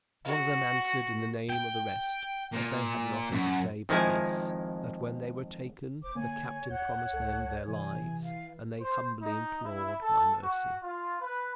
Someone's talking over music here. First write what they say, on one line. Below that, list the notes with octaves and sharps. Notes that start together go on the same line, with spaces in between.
One of them answered in the name of the rest, that they had nothing to say but this, that when they were taken the captain promised them their lives, and they humbly implored my mercy.
F#4
G5
A#2
F#2
F2 D#3 F3 G#3 E4 G#5
F1 C5 D6
D3 A#3 C#5 G#5
D#2 F#5 G6
C#2 A4
C3 E3 G#5
F5
C5
D#4
E4
A4
F#4
F4
B4